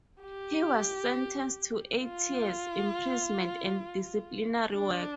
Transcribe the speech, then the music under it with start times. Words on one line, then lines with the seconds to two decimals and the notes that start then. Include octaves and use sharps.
He was sentenced to eight years' imprisonment and disciplinary work.
0.22 G4
2.03 F4
4.72 D4